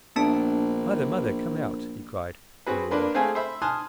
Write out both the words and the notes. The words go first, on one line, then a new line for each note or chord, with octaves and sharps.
"Mother! mother! come out," he cried and roared.
A#1 B3 D4 A5
C4 F#4 G#4 B4
A#3 D4 B4 C6
A3 C4 G#4 F5 G#5
C5 E5 B5
G#5 A5 C6 D#6 F6 F#6